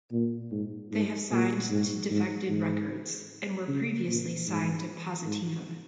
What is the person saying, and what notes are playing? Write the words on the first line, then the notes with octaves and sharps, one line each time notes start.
They have signed to Defected Records, and were previously signed to Positiva.
A#2
G#2
G#2
A#2
G#2
G#2
G#2
C#3
A#2
G#2
G#2